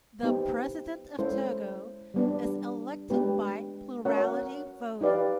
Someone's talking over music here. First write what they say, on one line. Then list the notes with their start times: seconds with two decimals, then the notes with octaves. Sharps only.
The President of Togo is elected by plurality voting.
0.23 B3 D#4 G4 C5
1.19 G#3 C#4 E4 A4 C5
2.14 G3 B3 D4
3.10 G#3 B3 D4 G4 B4
4.05 C#4 F#4 A#4 C#5 F#5
5.01 D#4 G4 B4 D5 F5